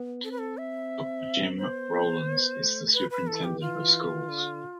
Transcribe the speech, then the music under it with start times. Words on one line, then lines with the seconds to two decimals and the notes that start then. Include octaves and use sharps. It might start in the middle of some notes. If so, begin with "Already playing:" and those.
Doctor Jim Rollins is the Superintendent of Schools.
Already playing: B3
0.24 C4 A4
0.31 B4
0.38 A4
0.57 E5
1.58 B3 C5
1.92 B3
2.26 B3
2.60 A3
2.94 B4
3.10 B4
3.27 E3 A4
3.44 G4
3.61 E3 F4
4.29 D3